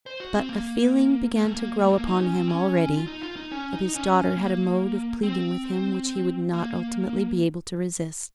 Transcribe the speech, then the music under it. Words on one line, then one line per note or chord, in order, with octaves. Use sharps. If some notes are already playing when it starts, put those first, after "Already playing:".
But a feeling began to grow upon him already that his daughter had a mode of pleading with him which he would not ultimately be able to resist.
C5
F#4
C4
A#3
A#3
A3
A#3
A3
A#3
D#4
C#4
C4
C#4
F4
D#4
F4
D#4
C#4
D#4
D#4
C#4
A#3
C4
A#3